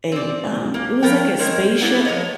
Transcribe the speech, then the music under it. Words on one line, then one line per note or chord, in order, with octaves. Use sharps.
a um, it was like a spaceship
C4 D5
A#3
F3 A3 B3 A#4 G5
G#3 C4 A#4 C#5
A#3 B3 E4
F2 E3 C#5 D#5